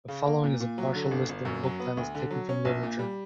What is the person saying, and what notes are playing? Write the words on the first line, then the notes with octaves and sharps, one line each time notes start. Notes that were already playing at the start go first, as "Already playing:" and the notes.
The following is a partial list of book titles taken from literature.
C#3
A#3
A#2
A#2
F#3
D3
G1
G1
F#2
F#3
B3
D2
D3
F#3
C#4
A#1
A#2
G3